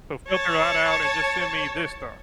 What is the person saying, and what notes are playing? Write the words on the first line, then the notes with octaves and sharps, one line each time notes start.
so filter that out and just send me this stuff.”
C#5 A5